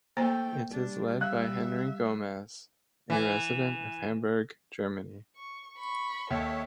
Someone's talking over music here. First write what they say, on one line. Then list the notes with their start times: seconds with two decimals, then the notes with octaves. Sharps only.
It is led by Henry Gomez, a resident of Hamburg, Germany.
0.17 A3 A#3 C5 G5 A#5
0.72 G3 D4
1.21 E5 F5 F#6
3.10 E3
5.36 C#6
5.78 B5 C#6
6.30 D#2 A4 C#5 E5